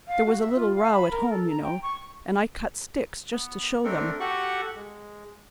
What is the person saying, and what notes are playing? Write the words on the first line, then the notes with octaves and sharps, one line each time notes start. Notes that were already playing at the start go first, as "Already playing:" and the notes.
There was a little row at home, you know, and I cut sticks just to show them.
F5
F#4
E5
F4
F5
B5
A#4
A4
A#5
G5
C#6
B3
A3 C4 D4 A4 A#4
F#4 G4 A4 F#5 C#6
G#3